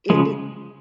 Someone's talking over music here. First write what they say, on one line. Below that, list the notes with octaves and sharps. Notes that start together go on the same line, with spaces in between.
It it
C#3 F3 G#3